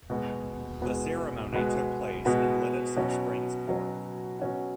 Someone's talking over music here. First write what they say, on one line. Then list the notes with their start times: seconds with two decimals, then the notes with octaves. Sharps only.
The ceremony took place in Lititz Springs Park.
0.10 B2 G#3 B3 F#4
0.81 B2 G#3 B3 F#4
1.52 B2 G#3 B3 F#4
2.25 B2 G#3 B3 F#4
2.96 B2 F#3 C#4 F#4
3.68 B2 F#3 C#4 F#4
4.39 B2 F#3 C#4 F#4